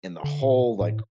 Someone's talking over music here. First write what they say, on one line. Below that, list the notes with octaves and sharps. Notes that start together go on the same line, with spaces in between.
and the whole, like,
D3
A#2
A2